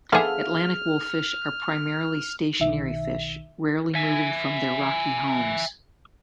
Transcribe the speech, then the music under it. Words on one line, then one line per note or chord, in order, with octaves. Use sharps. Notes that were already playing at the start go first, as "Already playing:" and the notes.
Atlantic wolffish are primarily stationary fish, rarely moving from their rocky homes.
D3 F3 B3 G#4 A4 E5 F5 F6
B1 D#3 E5
E5 G#5